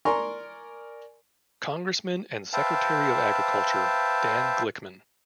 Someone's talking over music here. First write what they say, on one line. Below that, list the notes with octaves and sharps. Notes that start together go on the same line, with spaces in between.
Congressman and Secretary of Agriculture Dan Glickman.
A#4 D5 G#5 A#5 C6 C#6
B4 C5 E5 F5 G5 A5